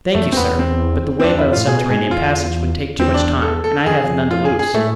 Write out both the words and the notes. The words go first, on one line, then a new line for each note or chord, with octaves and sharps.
"Thank you, sir, but the way by the subterranean passage would take too much time and I have none to lose."
F2 A3
C4
E2 B3
C4
C4
E2 D4
E2
E4
F2
A2 F4
B2 G#4
G#2 G#4
E2 F4
E2 C4
D4
A4
A4
F2 G#4
F4
G#4
G#4
A2 A3